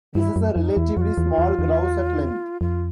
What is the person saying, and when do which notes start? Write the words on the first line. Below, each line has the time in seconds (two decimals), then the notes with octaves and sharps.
This is a relatively small grouse at length.
0.15 G2 E4
0.36 F#2
0.56 F2 E4
0.60 D#4
0.76 E2 E4
0.97 F2 F#4
1.01 F4
1.18 E2
1.38 E2
1.59 E2
2.61 F2 F4